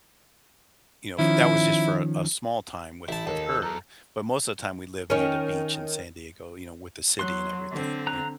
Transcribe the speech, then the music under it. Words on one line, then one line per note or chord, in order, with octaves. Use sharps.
you know, f that was just for a a small time with with her, but most of the time, we lived near the beach in San Diego, you know, with the city and everything, you kn
D#3 F3 C#4 E4
A1 E4 A5
D#2 A4 C#5
E6
F#3 A4 A#5
D#3 C#4
F#3 C6 F#6
D3 C4
A#5 F#6